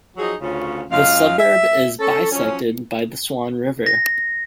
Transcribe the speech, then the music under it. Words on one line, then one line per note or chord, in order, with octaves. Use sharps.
The suburb is bisected by the Swan River.
F3 F#3 D#4 F#4 G#4
D2 C#3 C#4 F4
F#2 G#3 F4 F5
E5
C#4 A4
F3 F#3 C#4
A#6